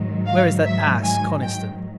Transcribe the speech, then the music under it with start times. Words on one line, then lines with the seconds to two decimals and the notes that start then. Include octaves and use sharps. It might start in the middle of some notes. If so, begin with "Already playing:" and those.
Where is that ass, Coniston?
Already playing: G#2 D#3 F#3
0.26 F5
0.65 E5
1.04 G#5
1.43 G5